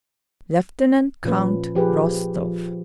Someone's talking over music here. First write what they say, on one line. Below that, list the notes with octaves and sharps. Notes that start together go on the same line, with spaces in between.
"Lieutenant Count Rostov."
A#2 F3 C#4 B4
F3 G4 G#4 B4
F3